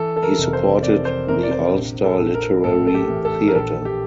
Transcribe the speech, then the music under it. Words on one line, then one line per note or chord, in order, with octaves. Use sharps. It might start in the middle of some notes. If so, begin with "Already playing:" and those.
He supported the Ulster Literary Theatre.
Already playing: E3 A4
A4
A#4
F1
A#4
C5
F2 D5
C5
C3 A#4
D5
C5
A#1
A4
A#1
A#4
A2 A4
A4
G4
E3
A4
A#4
A#1 A4
G4